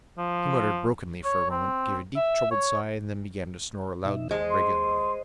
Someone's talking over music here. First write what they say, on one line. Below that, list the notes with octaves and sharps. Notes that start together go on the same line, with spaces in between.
He muttered brokenly for a moment, gave a deep troubled sigh, and then began to snore loudly and regularly.
F3
C#5
C4
E5
C#5
B2 D#4 E5
G#3 C5 D#5
C6